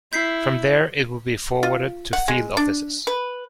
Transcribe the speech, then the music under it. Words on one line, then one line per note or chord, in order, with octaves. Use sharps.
From there it would be forwarded to field offices.
E4 G6 B6 C7
F4
F#5
G#3
D4
B4